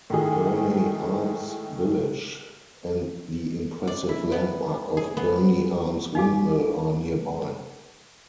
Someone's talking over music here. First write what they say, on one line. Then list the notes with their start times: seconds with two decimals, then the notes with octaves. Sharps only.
Berney Arms village and the impressive landmark of Berney Arms Windmill are nearby.
0.10 A2 D#3 G#4
3.87 D5
4.09 E4
4.32 B3
4.97 G#4
5.17 B3
6.15 D#4 G4 F5 G#5 D6